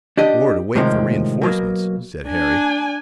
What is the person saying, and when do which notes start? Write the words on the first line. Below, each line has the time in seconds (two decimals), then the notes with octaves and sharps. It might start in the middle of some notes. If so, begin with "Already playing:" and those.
"Or to wait for reinforcements," said Harry.
0.17 D4 G4 D#5
0.75 A2 C3 D#3 F3 G#3 C4
1.42 B2 F#3 A#3
2.27 D4 G#5